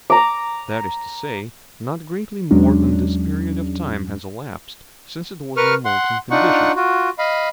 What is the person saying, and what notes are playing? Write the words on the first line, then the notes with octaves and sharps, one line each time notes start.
That is to say, not greatly more than this period of time has elapsed since it was in a molten condition.
A#5 D6
E2 F#3 G#3 C#4 D4
A#4 B4 C#6 F6
F#5 C6
D4 D#4 F4 F#5 C#6
F4 F#4
D#5 F5 B5